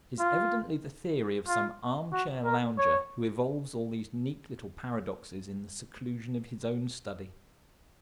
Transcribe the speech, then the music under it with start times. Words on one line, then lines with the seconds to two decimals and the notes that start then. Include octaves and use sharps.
It is evidently the theory of some arm-chair lounger who evolves all these neat little paradoxes in the seclusion of his own study.
0.20 F4
1.48 F4
2.13 F#4
2.45 A#4
2.78 C#5